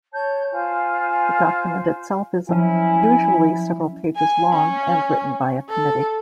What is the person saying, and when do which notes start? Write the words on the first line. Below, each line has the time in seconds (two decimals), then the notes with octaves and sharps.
The document itself is usually several pages long and written by a committee.
0.13 C#5 A5 G6
0.51 F4 C5 G#5
2.49 F3 F#3 C#4 E4 G#5
4.16 G#5
4.52 C#4
5.69 A4